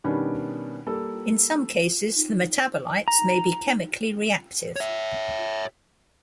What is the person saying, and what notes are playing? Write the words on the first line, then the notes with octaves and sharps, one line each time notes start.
In some cases the metabolites may be chemically reactive.
B2 D#3 G3 B3 C#4 D4
G3 A#3 A4
A#5
C#5 E5